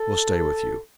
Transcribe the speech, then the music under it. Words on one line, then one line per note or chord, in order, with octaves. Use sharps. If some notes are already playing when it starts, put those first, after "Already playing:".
I will stay with you.
Already playing: A4